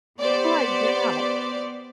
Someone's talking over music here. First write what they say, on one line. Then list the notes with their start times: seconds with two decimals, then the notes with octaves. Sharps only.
like, "Get out."
0.19 B3 G4 C5 D5